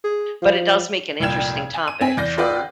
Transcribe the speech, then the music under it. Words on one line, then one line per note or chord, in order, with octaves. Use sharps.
but it does make an interesting topic for
G#4
F3
F1 C2 A#2 G5 G#6 E7
G#5
D#7
C4 G#5
E2 D5 G6 A#6
F4 B4 D5 F#5 G5